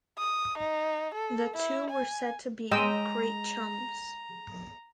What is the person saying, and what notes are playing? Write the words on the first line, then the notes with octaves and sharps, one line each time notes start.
The two were said to be "great chums".
D#6
D#4
A4
E4
G#5
G#3 D#5 G5 A#5 E6